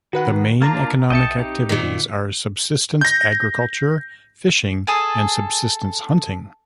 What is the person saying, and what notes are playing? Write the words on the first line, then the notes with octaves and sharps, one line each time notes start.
The main economic activities are subsistence agriculture, fishing and subsistence hunting.
D#3 F#4 B4 F#5
A#3 D4 F4 A5 A#5
B1 D#5 E5 G5 A5 C#7
C4 D#4 G4
A#2 D#3
G6 A#6
G#4 A4 G#5 A5